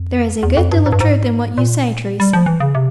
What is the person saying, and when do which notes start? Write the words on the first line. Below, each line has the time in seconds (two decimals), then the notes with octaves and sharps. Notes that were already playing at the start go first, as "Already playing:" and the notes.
"There is a good deal of truth in what you say, Teresa."
Already playing: F2
0.43 E2
0.57 F2
0.72 G2
0.86 G#2
0.92 G2
1.00 G#2
1.58 A#2
2.20 G3
2.33 F3
2.46 E3
2.60 C#3
2.75 C3